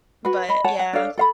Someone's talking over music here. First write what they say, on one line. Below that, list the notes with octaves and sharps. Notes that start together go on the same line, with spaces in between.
But yeah.
F#4 B4
D#5 B5
C#5 F#5 A5
F#5
D4 A4 C#5 F5
A4 F5 B5